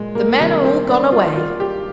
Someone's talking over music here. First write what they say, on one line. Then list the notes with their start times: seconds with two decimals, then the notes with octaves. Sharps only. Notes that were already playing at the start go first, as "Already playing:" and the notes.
The men are all gone away.
Already playing: A#2 G#3
0.15 A#3
0.40 C3 D#3 G3 A#3
0.64 C4
0.88 D4
1.12 F4
1.36 F4
1.60 G4